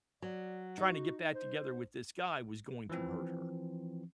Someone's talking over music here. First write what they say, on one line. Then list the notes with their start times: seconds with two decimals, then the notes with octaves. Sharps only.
trying to get back together with this guy was going to hurt her.
0.22 F#3 D5
0.78 D#4 F#4
1.35 C5
2.90 E3 F3 C4